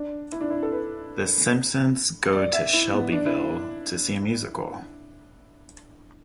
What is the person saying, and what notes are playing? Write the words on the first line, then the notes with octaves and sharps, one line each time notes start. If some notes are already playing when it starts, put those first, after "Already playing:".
The Simpsons go to Shelbyville to see a musical.
Already playing: D4
E4
D4
E4
A4
B4
D5
E5
E4
B3
D4
E4